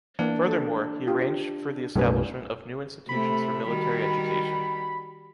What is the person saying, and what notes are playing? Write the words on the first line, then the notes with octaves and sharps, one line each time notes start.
Furthermore, he arranged for the establishment of new institutions for military education.
E3 A#3 D4
A4
F4 G4
B1 F#2 A2 G3 G#4 B4
C3 A3 B5
D#3 G3 F#4